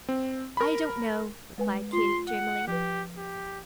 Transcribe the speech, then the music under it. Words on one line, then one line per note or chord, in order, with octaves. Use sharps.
"I don't know," replied Katy, dreamily.
C4
A#4 B5
G#3 B4 G#5
F4 C6
F#5
F3 G4 B4
G4